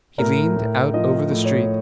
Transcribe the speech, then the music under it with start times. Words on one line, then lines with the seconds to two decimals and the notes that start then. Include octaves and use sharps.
He leaned out over the street.
0.18 A2 A#4
0.56 A2
0.94 F3 D#5
1.31 A2
1.44 C#5